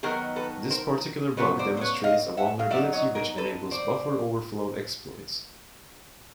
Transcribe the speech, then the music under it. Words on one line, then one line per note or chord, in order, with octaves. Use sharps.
This particular bug demonstrates a vulnerability which enables buffer overflow exploits.
D#3 F#3 B3 D#4 G#4 A#4
A4 B4
A#4 C5
C#3 F#3 B3 B4 C#5
C5 D5
C5
B4 C#5
D#5 F5
E5 F#5
F5
F#3 B3 D#4 D5 E5
C#5 D#5
G#4 A#4
A4 B4
C5 D5